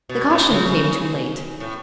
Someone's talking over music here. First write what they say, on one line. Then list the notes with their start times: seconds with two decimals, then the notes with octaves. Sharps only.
The caution came too late.
0.09 B2
0.30 A2
0.50 C#3
1.60 A2